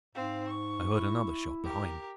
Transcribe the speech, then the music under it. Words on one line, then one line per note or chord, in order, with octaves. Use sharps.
I heard another shot behind me.
G#2 C4 F5
C#6
E4
G4 A#4